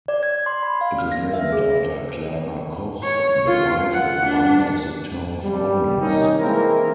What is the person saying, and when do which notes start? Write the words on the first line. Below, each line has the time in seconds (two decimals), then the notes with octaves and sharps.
It is named after Clara Koch, the wife of one of the town founders.
0.08 D5
0.23 G#6
0.46 C6
0.63 B5
0.81 F5
0.99 F6
1.12 A#6
1.33 E5
1.52 G#4
3.03 C#5
3.46 F4
3.93 F#5
4.26 D4
5.43 G3
6.01 C3 D#3 A#3 C#4 D#4
6.40 E3 G#3 A#3 C4 E4 A#4